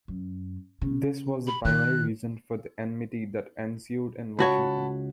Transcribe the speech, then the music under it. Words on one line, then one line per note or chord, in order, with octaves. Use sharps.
This was the primary reason for the enmity that ensued in Washington.
F#2
C#3
B5
D#3 F#6
C#2 F#4 C#5 F#5 A5 B5